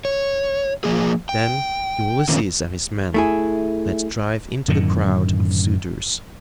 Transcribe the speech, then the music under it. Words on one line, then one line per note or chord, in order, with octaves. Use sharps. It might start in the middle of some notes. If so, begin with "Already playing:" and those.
Then Ulysses and his men let drive into the crowd of suitors.
C#5
F3 A#3 G#4
G5
D3 D#3 F3 A#3 C4 C#4
A3 E4 G#4
F#2 A2 D3 D#3